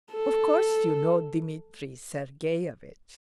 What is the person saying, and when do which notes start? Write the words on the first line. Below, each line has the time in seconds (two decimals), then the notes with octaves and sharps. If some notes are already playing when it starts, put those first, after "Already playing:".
Of course you know Dmitri Sergeevich?
0.14 A4